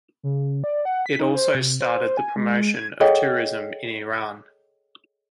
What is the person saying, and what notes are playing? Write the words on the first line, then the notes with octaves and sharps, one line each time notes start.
It also started the promotion of tourism in Iran.
C#3
D5
F#5
B6
D#4
C5
C3
C5
G#5
G#3
G#6
G#4 A4 C#5 D#5 F#5 G5